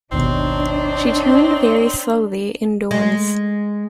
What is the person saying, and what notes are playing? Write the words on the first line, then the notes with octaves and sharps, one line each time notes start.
She turned very slowly indoors.
G#1 D#2 B2 C4 D4 D#4 C#5 D5
G#3